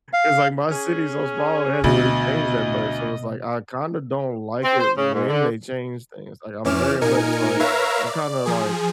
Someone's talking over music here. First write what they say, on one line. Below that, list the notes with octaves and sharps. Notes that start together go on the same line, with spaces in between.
it's, like my city's so small it hasn't really changed that much, so, it's, like, I kinda don't like it when they change things, like, I'm very much, like I'm kinda, like
F5
C#4 G#4
D2 B2 D#5
C4
C5
C#3
G#2
D3
F2 E3 C#4 D6 F6 E7
A#2 D#4 A#4 G#5 C#7
A#4 B4 C#5 E5 F5 A#5
D5
F3 G#4